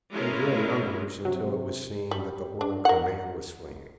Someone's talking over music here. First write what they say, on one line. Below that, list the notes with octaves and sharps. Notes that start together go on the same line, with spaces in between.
They grew in numbers until it was seen that the whole command was fleeing.
G#3 A3 C#4 E4 F4 A#4
C3 F#3
G3
D4
A#4 F#5